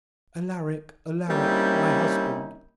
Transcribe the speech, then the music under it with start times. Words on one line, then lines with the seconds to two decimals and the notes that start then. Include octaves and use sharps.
'Alaric, Alaric, my husband!
1.29 G3 A#3 C4 C#4 D#4 E4